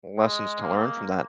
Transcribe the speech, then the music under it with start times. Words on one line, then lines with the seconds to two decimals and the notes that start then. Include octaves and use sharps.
lessons to learn from that.
0.19 G#3
0.62 A#3